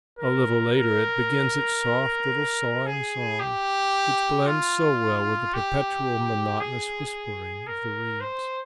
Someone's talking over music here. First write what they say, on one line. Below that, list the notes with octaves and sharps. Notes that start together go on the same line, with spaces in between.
A little later it begins its soft little sawing song, which blends so well with the perpetual, monotonous whispering of the reeds.
A#4
A#4
G#4
G4
F4
G4
G#4
A#4
C5